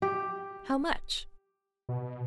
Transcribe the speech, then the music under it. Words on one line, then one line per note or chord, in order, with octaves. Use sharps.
"How much?"
G4
B2